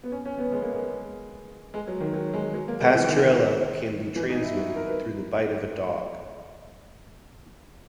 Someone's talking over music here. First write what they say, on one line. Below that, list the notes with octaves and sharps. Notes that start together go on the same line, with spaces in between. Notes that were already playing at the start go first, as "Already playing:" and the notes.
Pasturella can be transmitted through the bite of a dog.
B3
C#4
C#4
B3
G#3
A#3
G#3
G#3
F#3
D#3
F#3
G#3
F#3
A#3
G#3
E3
D#3
E3
D#4
E4
F#4
A#4
B4